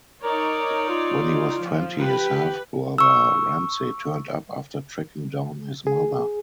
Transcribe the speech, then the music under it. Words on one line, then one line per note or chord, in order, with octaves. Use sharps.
When he was twenty, his half-brother, Ramsay, turned up after tracking down his mother.
D#4 A#4 C#5 D5
F4
F3
G4 B4
C#6 E6
G#4